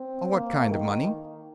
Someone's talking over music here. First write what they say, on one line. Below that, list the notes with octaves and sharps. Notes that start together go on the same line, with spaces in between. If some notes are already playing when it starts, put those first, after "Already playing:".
"What kind of money?"
Already playing: C4
A#3
D#3